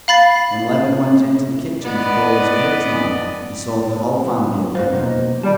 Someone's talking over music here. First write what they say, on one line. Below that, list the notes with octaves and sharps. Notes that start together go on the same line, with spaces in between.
When Levin went into the kitchen to call his coachman he saw the whole family at dinner.
F5 B5 A6 C7
B3 D5 D#5
F#3 B3
F4 F#4 C5
B2 A#3 D#4
D#3 G3 A5